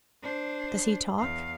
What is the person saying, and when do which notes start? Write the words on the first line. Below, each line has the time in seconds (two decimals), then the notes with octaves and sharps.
"Does he talk?"
0.23 D4 C5
1.19 E2 F5